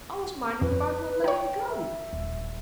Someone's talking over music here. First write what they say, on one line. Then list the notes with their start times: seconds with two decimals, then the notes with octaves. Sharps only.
"I was minding about not letting go."
0.62 F2 B4
1.24 D#4 C#5 G5
1.69 E5
2.13 D#1